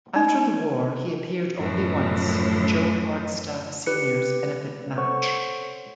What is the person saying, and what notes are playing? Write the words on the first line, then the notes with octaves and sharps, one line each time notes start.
After the war he appeared only once, in Joe Hardstaff senior's benefit match.
D#4
F#2 A2 E3 F3
G4 B4 C#7
A4 C5 C#5 F#5 C#6